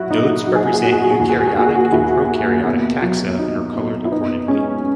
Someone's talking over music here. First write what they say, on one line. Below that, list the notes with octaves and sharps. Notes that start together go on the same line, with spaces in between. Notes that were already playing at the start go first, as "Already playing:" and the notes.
Nodes represent eukaryotic and prokaryotic taxa and are colored accordingly.
Already playing: F#3 E4 F#4
A#2 D#4
F#3 F#4
G#4
F#4
G#4
A#2 F#4
G#4
F#4
G#4
D#2 F#4
G#4
F#4
G#4
A#3 F#4
G#4
F#4
D#2 E4
A#3
B2
F#3
B2 D#4
B2
E4
B3 D#4
G#3 C#4